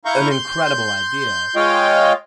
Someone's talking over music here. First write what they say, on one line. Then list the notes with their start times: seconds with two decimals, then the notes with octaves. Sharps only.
an incredible idea,
0.05 E4 F5 A#5 C#6 G6
0.30 C6 G6
1.56 G#3 F4 C#5 D#5 F5 G5